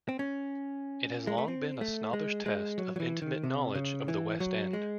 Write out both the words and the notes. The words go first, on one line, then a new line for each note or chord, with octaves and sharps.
It has long been a snobbish test of intimate knowledge of the West End.
C4
C#4
G#3
A3
C4
A3
G#3
G#3
F#3
F#3
E3
D#3
C3
C#3
E3
F#3
G#3